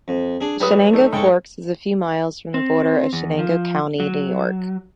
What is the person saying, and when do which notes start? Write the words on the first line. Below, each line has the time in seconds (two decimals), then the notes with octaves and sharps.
Chenango Forks is a few miles from the border of Chenango County, New York.
0.08 F2
0.41 D4 G#4
0.60 F#3 G3 B4 D#6
0.93 A3 D#4
1.13 G#2 A4 C#5 G5
2.54 C4
3.13 E2
3.39 F3
4.00 F#3